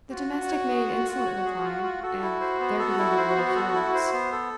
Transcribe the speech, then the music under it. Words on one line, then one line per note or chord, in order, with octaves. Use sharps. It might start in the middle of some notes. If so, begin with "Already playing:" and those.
The domestic made insolent reply, and there began a war of words.
F4 F#4
F4
C#5
G#4
F4
F4
C#5
G#4
F4
F4
F#4 A4
E4
C5
B3
A4
E4
C5
B3
A4
E4
C5
B3
A4